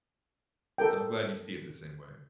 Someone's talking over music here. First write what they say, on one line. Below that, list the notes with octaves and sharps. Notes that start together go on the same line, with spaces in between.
so, I'm glad you see it the same way.
A4 A#4 G5